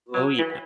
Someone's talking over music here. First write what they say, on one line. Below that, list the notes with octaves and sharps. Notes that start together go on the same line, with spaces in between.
Oh, yeah.
F#3
E3